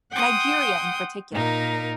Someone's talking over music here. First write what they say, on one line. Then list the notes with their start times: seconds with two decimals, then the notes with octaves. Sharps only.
Nigeria in particular.
0.11 F#5 G5 C6 D#6
1.32 A#2 D#4 A#4